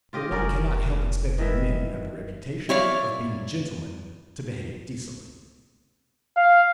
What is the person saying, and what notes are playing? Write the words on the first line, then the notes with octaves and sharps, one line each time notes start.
"But one cannot help expecting men who have the reputation of being gentlemen to behave decently."
F4 G4 D#5
F1 C#4 A#4 D5
D#3 E3 E5
E4 C#5 D5 F5
F5